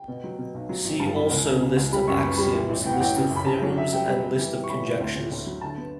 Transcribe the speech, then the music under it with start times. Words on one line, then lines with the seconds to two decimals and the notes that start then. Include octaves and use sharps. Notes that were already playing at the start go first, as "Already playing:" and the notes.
See also list of axioms, list of theorems and list of conjectures.
Already playing: G5
0.08 B2
0.24 F#3
0.38 B2
0.54 B1
0.69 F#3
0.85 A1
1.00 G2 A5
1.15 A1 B5
1.30 C#2
1.46 C#3
1.62 C#3
1.77 C#2
1.92 G3 B5
2.07 F#2 C#6
2.23 B3 B5
2.30 C#6
2.37 G3 B5
2.54 E3
2.69 A1
2.85 A2 G5
2.93 F#5
3.00 A1 G5
3.16 C#3
3.30 F#2
3.36 B5
3.46 F#2 A5
3.62 F#3
3.77 C#3 E5
3.93 G3 G5
4.07 G3
4.23 G3
4.38 E3
4.55 G3
4.64 C#6
4.69 E3 B5
4.85 A2
5.00 D2
5.15 D2
5.31 D2
5.46 F#3
5.61 D3 A5
5.78 B3